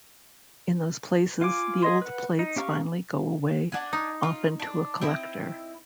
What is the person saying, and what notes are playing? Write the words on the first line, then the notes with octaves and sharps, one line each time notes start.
In those places, the old plates finally go away, often to a collector.
F4 F5 G#5 D6
G#4 D#5 C6
B4 F#5
D#4
C#4 G4 F5 A#5 C#6
D4 F#5 G#5
D#4
F4
D4
C4 E4 D#5